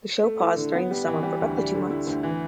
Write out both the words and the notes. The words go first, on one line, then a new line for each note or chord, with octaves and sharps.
The show paused during the summer for up to two months.
A3
E4
D3
B3
G3
E3
G3
D2
G3
D3
E4
D2
E3